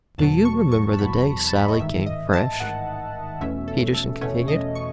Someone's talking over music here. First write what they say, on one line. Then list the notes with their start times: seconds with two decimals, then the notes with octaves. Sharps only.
"Do you remember the day Sally came fresh?" Peterson continued.
0.18 E2 B2 F#3 A5
0.45 C#6
0.72 C#6
0.93 A5
0.99 E2 B2 F#3 B5
1.39 B5
1.47 A5
1.56 B5
1.68 D#5
1.79 A1 G#2 D#3 E5
2.06 D#5
2.33 A5
2.60 A1 G#2 D#3 F#5
3.40 E2 B2 A3 C#4 E5
3.68 A4
3.94 A4
4.21 E2 B2 A3 C#4 C#5
4.48 D#5
4.75 C#6